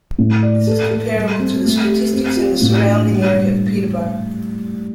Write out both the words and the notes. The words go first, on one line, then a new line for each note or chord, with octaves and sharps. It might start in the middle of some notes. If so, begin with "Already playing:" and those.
This is comparable to the statistics in the surrounding area of Peterborough.
A2
D5
A4
A4
G3
C4
A3
G4
C4
F4
A2
D4
G3
G3